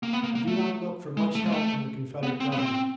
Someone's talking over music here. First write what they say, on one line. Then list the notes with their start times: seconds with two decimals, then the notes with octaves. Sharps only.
I do not look for much help from the Confederate Government.
0.03 A#3
0.13 B3
0.24 A#3
0.35 A#3
0.47 A3
1.17 G#3
1.35 A3
1.46 G#3
1.52 A3
2.23 B3
2.40 C4
2.52 B3
2.59 C4